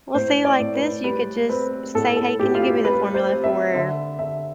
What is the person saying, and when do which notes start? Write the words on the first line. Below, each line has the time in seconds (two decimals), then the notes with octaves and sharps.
Well, see, like this, you could just s say, "Hey, can you give me the formula for
0.14 A2 C5
0.45 D5
0.59 A2
0.75 B4
1.04 G3 B4
1.49 C4 B4
1.95 A2 A4
2.17 A4
2.39 A2 G4
2.55 F4
2.62 G4
2.85 G3 B4
3.14 C5
3.29 C4
3.44 E5
3.74 D3 E5
4.19 D3 E5